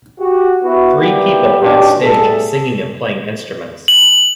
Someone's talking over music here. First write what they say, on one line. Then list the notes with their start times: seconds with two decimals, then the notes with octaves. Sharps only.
Three people on stage singing and playing instruments.
0.20 F#4 G4
0.63 B3 E4 F#4
1.00 G3 A#3 B3 E4 G4
1.61 G#1 E2 B2 C#4 D4 G4
2.01 A2 G3 G#4 A4
3.88 F#7